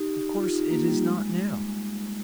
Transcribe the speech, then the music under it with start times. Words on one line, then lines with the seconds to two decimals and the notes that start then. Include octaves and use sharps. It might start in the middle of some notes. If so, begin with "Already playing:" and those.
Of course it is not now!
Already playing: D#4 G4
0.35 F4
0.53 D#4
0.70 A#3
0.88 G3
1.05 G#3